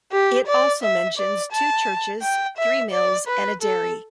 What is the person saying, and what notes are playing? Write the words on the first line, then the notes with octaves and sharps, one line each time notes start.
It also mentions two churches, three mills, and a dairy.
G4
D5
E5
D5
A5
G5
E5
D5
B4
A4